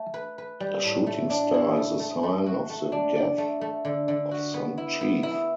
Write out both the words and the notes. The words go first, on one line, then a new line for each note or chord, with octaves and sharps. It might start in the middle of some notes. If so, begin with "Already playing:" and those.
A shooting star is the sign of the death of some chief.
Already playing: A3
B4
B4
G3
A2
A3
D4
E4
A3
A3
A3
F#4
A3
D4
D5
A3
A3
D3
D3
F#4
B3
E4
B3
E4